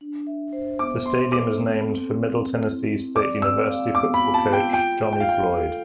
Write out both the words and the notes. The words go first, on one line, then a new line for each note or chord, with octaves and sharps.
The stadium is named for Middle Tennessee State University football coach Johnny Floyd.
D4
E5
C5
B3 D6
B3 C6
A4 D6
C4
C4
C4
C4
E4
C4
D5 D6
C4 E6
F5
B3 D6
B5
F4
A5
F4
G5
F4 G5
F4
G5
F5
F4 G5
A4